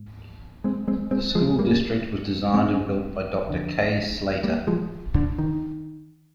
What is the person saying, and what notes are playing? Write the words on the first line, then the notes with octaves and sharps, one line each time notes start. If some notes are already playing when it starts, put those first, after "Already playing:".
The School District was designed and built by Doctor K. Slater.
Already playing: G#2
G#3 C4
G#3 C4
G#3 C4
F3 G#3
G3 A#3
G#3 C4
F2 D3
G3 A#3
F3 G#3
D3
D#3